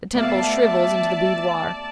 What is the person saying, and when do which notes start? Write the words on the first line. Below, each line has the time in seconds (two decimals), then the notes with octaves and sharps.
The temple shrivels into the boudoir.
0.15 A3 B3 D5 E5 F5 A5